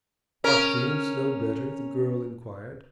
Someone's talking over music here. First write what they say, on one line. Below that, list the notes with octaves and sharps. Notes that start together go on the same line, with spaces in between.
'Are things no better?' the girl inquired.
C#4 A#4